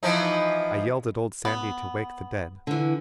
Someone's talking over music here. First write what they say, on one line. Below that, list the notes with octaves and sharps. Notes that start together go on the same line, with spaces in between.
I yelled at Old Sandy to wake the dead.
E3 F3 D#4
B3
D3 E3